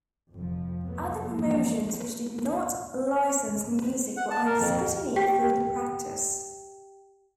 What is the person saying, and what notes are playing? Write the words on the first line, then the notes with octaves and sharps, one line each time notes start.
Other promotions which did not license music were under scrutiny for the practice.
F1 F2 F3
C2 F#2 F#3 A3 B3
G#2 E3 F3 G#3 A#3
F#5
A5
A#4
F2
G4 G5 B6